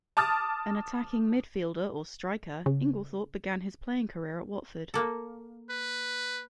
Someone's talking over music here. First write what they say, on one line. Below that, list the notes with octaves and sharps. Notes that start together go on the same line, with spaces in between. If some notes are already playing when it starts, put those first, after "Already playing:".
An attacking midfielder or striker, Inglethorpe began his playing career at Watford.
A5 D6 D#6 F6 A6
C#3
A#3 A4
B4